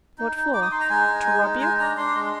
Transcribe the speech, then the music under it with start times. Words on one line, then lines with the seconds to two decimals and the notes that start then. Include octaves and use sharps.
"What for--to rob you?"
0.18 D#4
0.36 D#4
0.54 D#4 D6
0.62 D#6
0.72 D#4 C6
0.81 A#5
0.90 G#3 G#5
1.08 D#4
1.26 G#3
1.43 D#4
1.61 G#3 G#5
1.79 D4 A#5
1.97 D4 C6
2.15 G#3